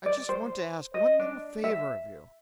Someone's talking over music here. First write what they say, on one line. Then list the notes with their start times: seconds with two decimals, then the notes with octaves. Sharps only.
"I just want to ask one little favor of you."
0.06 D5
0.29 C5
0.94 D#5
1.19 D4
1.64 E5